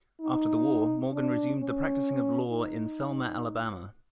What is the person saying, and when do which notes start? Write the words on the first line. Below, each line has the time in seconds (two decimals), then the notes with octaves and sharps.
After the war, Morgan resumed the practicing of law in Selma, Alabama.
0.21 D#4
1.12 D4
1.59 C#4
2.49 D#4